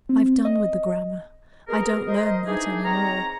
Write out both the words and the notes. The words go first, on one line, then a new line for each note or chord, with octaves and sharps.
"I've done with the grammar; I don't learn that any more."
C4
D#5
B2 G#4 A#4
A#4 C5 D#5
D#3 E3 D4 D#4 G4 G#4
G#2 D#3 C4 C#5 A#5